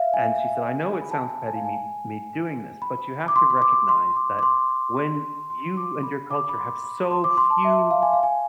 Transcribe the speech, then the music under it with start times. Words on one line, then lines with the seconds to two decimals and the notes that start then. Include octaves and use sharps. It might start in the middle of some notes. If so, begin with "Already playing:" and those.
And she said, "I know it sounds petty me me doing this, but you have to recognize that when you and your culture have so few
Already playing: E5 F5
0.14 G#5
1.01 B5
1.11 A5
1.21 G#5
1.47 G#5
1.56 F5
1.65 G#5
2.82 B5
3.28 D6
3.36 C6
3.50 C6
3.62 D6
3.89 C6
4.16 D6
4.39 D6
4.43 C6
5.50 C6
5.77 D6
6.03 B5
6.31 D6
6.49 B5
6.57 C6
6.84 B5
7.11 C6
7.24 D6
7.37 C6
7.50 A5
7.65 E5
7.91 F5
8.03 G#5
8.13 F5
8.23 G#5